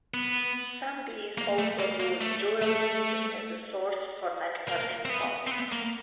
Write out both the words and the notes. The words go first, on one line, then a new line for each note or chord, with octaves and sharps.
Some bees also use jewelweed as a source for nectar and pollen.
B3
A#3
A3
A#3
A#3
A3
A3
A#3
C4
B3
C4
B3
A#3